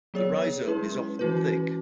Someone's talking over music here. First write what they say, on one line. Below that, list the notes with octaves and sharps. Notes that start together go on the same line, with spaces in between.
The rhizome is often thick.
F#3 B3 G#4 C#5
G#3 C#4 E4 B4
E3 C#4 F#4 B4